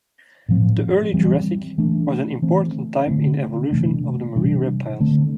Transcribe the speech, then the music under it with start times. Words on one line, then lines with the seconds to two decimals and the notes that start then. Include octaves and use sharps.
The Early Jurassic was an important time in the evolution of the marine reptiles.
0.49 A2 F3 C4
1.14 E3 G3 C4
1.78 E3 A3 D4
2.42 E3 A3 C4
3.07 D3 A3 C4
3.71 C3 E3 A3 D4
4.36 C3 E3 G3 D4
5.00 D3 A3 C4